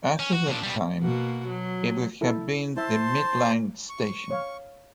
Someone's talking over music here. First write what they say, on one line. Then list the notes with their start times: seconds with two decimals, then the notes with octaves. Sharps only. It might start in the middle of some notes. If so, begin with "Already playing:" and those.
After that time it would have been the Midland Station.
0.19 C#4
0.33 F#4
0.47 A#2 D4
0.63 B2 G3
1.00 B2 A#3 F#4
1.48 F#3
2.21 E4 A4 A#4
2.77 E4 C5 E5 A5 C6
3.89 C#6
4.31 C#5 F5